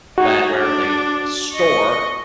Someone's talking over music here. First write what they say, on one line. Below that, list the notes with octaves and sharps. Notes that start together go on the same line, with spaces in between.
that where they store
D#4 F#4 G#4
D4
D#5 C#6